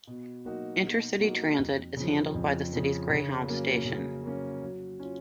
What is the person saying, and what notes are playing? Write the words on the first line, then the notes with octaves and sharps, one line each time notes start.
Intercity transit is handled by the city's Greyhound station.
B2
F#3 A#3 D#4 F#4
B2
F#3 A#3 D#4 F#4
F2
C#3 F3
F2
C#3 F3
C#3
F#3 A#3 C#4
C#3
F#3 A#3 C#4
F#3
C#4 F4